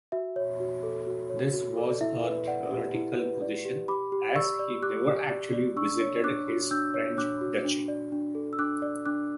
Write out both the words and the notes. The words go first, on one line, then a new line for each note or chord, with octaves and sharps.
This was a theoretical position, as he never actually visited his French duchy.
F#4 E5
C#5
F#4
A4
F#4
C#5
F#4
A4
D5
E4 E5
B4
D5 F#5
G4
E4
B4
D5
G4
G4 B5 D6
G4
D5 C#6 E6
D5
G4 D6 F#6
G4
D5
D5
D4 C#6 E6
C#5
D4 D6 F#6
F#4
D4 E6 G6
C#5
D4 D6 F#6
F#4
D4
D5
D4
A4
E6
D4 D6 F#6
D5
D4 D6 F#6